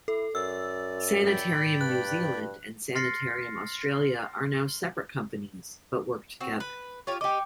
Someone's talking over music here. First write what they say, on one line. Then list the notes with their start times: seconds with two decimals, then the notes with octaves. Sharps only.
Sanitarium New Zealand and Sanitarium Australia are now separate companies, but work together.
0.08 E4 A4
0.35 F#2 D5 E6
1.26 D5 G5 B5
1.81 G2 F#6
2.95 C6 F6 A6 A#6 C7 C#7
6.41 C4 F#4
6.60 B4
7.07 F4 G4 C#5
7.21 G4 D#5 G5 D6